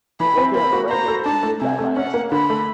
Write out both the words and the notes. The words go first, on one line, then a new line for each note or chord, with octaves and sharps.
It is located on the right bank of the Urdaibai estuary.
E3 B5
C4
A#3 B5
F#4
C5 A#5
A4
D4 A5
A3
C3 G#5
A3
C#4 F#5
A#3
D3 B5
A3